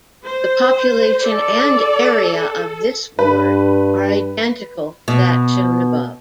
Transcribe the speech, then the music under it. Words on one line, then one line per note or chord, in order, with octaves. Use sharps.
The population and area of this ward are identical to that shown above.
C5
A4 D5
G2 B4
B2